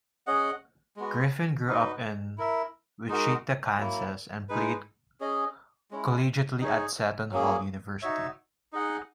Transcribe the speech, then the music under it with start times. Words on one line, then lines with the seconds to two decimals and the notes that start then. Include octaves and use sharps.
Griffin grew up in Wichita, Kansas and played collegiately at Seton Hall University.
0.27 C#4 G#4 D#5 F#5
0.97 G#3 B3 F#4
1.67 D#4 F#4 B4 D#5
2.38 E4 A#4 E5
3.08 G#3 D#4 F#4 A#4
3.78 F#3 A#3 E4
4.49 G#3 D#4 G#4 B4
5.21 C#4 G#4 D#5
5.91 G#3 C#4 E4
6.61 D#4 G#4 C#5
7.32 F#3 A#3 C#4 G#4
8.02 D#4 F#4 C#5 E5
8.73 D#4 G#4 D#5 F#5